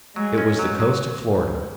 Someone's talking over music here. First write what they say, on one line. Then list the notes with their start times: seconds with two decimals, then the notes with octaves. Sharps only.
It was the coast of Florida.
0.16 F#3 G#3
0.38 C#4
0.59 F#3
0.80 F#3